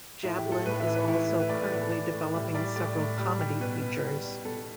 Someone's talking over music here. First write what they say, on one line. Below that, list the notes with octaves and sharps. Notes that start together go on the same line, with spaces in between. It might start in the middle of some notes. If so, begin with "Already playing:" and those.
Jablin is also currently developing several comedy features.
A2 E4
G4
A3
A4
A2 B4
E5
E3
B4
A2 E4
A3
B4
A2 D5
D5
E3 B4
A4
A2 D5
A2
G3 E5
G3 D5
A2 D5
A2
G3
G3
B2 B4
B2
G3
G3
B2 A4